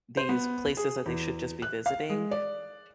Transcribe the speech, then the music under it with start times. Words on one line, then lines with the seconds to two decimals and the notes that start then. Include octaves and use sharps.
these places that they should just be visiting.
0.17 C5
0.29 B3
0.77 G#4
1.06 E2
1.62 F#6
1.86 F5
2.10 G#3
2.31 D5